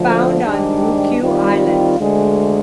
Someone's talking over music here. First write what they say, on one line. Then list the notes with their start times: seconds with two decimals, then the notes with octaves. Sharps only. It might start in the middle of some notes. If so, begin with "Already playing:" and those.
Found on Ryukyu Islands.
Already playing: D2 D3 F3
0.43 G#2 D#3 G3 D4
1.20 D#3 G3 C4 F4
1.98 D2 D3 G#3